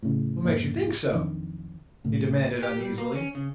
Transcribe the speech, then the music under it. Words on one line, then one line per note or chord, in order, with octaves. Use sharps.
"What makes you think so?" he demanded uneasily.
A2 C#3
C2 F2 G#2 A#3
B1 F2 D#3 D4
C2 A2 D3 F#3
G4
G3
A#3
C#4
C#3